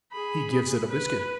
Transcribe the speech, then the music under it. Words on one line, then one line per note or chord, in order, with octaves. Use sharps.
He give it a biscuit.
G#4 B5
B4